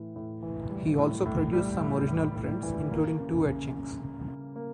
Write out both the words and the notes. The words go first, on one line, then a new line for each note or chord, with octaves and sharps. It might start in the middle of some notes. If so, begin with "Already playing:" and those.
He also produced some original prints, including two etchings.
Already playing: A2 E3
A2
E3
G3
A2
A2
G3
A2
A2
A2
E3
A#3
C#3
C#3
C#3
C#3
C#3
A#3